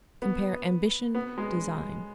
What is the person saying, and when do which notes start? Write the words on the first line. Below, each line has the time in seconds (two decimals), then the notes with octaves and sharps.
Compare AMBITION; DESIGN.
0.22 B3
1.15 B3
1.38 G#3